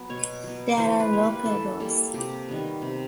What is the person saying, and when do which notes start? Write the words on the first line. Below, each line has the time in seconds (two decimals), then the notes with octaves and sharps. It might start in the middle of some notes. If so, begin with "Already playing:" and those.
There are local roads.
Already playing: F#3 B3
0.09 B2 C#5
0.43 F#3 B3
0.78 E3 C5
1.00 B4
1.12 G3 A#3
1.23 B4
1.45 E3 A4
1.80 G3 A#3 A4
2.14 C3 G4
2.48 D#3 G3 B3
2.82 C3